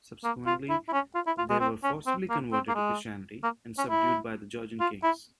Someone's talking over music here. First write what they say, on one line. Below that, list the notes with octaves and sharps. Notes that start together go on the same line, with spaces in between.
Subsequently, they were forcibly converted to Christianity and subdued by the Georgian kings.
A#3
F4
E4
E4
C#4
F4
E4
F4
G#3
C4
C#4
C4
A#3
C4
A#3
G#3
A#3
C#4
E4
F4
E4